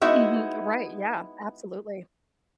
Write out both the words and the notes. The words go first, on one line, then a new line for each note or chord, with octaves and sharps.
Mhm, uh, right, yeah, absolutely.
G#3 B3 D#4 E4 F#4 E5